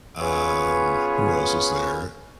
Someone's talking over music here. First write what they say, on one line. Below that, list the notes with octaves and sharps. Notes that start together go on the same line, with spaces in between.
Um, who else was there?
B3 C#4 F4 G#4 B4 C#5